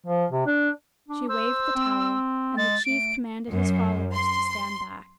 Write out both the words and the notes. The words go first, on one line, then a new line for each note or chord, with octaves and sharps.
She waved the towel, and the chief commanded his followers to stand back.
F3
C3
D4
D4
C5 E6
C4
G#3 A6
A3 D7
F#2
C6